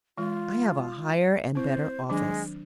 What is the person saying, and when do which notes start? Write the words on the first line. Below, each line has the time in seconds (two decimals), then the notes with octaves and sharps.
I have a higher and better office.
0.18 E3 G#3 F4
1.55 C4 E4 C5
2.09 D#3 F#3 G#3 D4